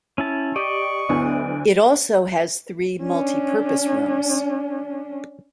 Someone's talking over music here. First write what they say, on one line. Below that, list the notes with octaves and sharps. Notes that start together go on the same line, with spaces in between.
It also has three multipurpose rooms.
C#4 E4 A5
G4 D5 D#5 C#6
D2 D3 F#3 B3 E4
C#4 D4